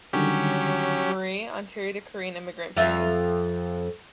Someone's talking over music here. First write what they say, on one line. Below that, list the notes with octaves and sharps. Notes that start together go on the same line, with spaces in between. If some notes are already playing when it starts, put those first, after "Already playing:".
Marie, Ontario to Korean immigrant parents.
D3 D#3 F#3 G3 C#4 G4
F2 F4 E5